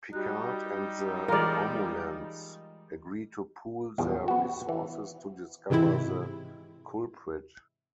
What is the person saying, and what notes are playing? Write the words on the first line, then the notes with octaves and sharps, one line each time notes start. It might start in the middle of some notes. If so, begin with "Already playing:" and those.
Picard and the Romulans agree to pool their resources to discover the culprit.
G3 D#4 F#4 G4 F#6
E3 G#3 F4 A#4 D5
A#1 E2 F3 G3
B3 F#4
E3
G#2 C3 E3 G#3 C4 E4